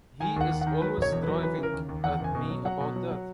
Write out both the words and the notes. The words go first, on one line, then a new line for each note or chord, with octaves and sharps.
He's always driving at me about that.
D#3 G#5
D#2 F#5
D#2
F#5
D#3
F#3 B4
E1 C#5
E2
B4
F#3
E3 B4
C#3
A#4
D#2
D#2
E2 F#5
F#1 G#5
B2
F#3
F#3 F#5
B2
F#3
F#3